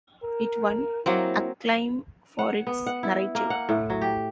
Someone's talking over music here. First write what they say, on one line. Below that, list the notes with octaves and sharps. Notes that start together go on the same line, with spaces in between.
It won acclaim for its narrative.
A#4
F#3 A#3 C4 E4
F#5
B3
F#5
E4
A#3
F#5
A2
F#3
G4